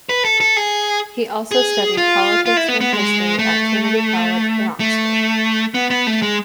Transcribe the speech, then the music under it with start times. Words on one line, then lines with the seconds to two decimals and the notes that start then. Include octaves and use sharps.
He also studied Politics and History at Trinity College in Oxford.
0.09 B4
0.25 A4
0.40 A4
0.56 G#4
1.51 G#4
1.97 F4
2.46 F4
2.57 E4
2.68 B3
2.81 B3
2.93 G#3
3.39 A3
4.80 A3
5.74 B3
5.91 B3
6.07 A3
6.22 G#3